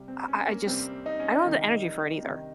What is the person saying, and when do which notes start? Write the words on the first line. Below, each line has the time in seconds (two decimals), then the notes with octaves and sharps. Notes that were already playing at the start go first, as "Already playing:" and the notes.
I I I just I don't have the energy for it either,
Already playing: C3 G3
0.08 C4
0.28 C#4
0.47 A#3
0.67 C3 G3 C4
1.06 D#4
1.20 C#4
1.33 D#4
1.45 C3 D#3 G3
2.22 C3 D#3 G3